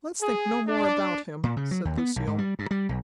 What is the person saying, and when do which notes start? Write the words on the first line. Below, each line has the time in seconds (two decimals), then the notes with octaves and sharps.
"Let's think no more about him," said Lucille.
0.21 G#4
0.67 D4
1.44 A#2
1.57 C#3
1.71 F#3
1.85 D#2
1.97 B3
2.16 B1
2.27 G#2
2.38 G3
2.59 G2
2.71 G3
2.89 B1